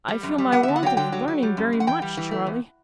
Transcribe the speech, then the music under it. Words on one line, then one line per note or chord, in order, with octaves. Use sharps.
I feel my want of learning very much, Charley.
G3
F#2
G3
B3 F#5
D3 E5
F#5
F#3 G5
D3 G5
F#3
F#3
G3
F#2
F#2
F#5
E3 G5
G3
E3
A3
E2